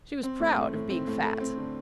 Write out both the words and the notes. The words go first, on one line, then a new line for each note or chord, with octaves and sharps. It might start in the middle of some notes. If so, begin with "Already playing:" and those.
She was proud of being fat.
C4
A2
A3
A2
C4
A2
A3
C4
D3